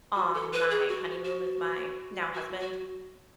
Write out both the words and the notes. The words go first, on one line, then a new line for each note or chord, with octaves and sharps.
on my honeymoon with my now husband,
F#4
A4
B4
G#4
F#4
F#4
F#4
F#4